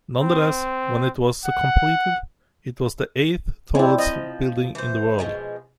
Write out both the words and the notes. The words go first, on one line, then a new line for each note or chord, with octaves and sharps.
Nonetheless, when it was completed, it was the eighth tallest building in the world.
C4
F#5
G#3 C4 D4 E4
F3 D#5
E3 C5
B2 F3 G#3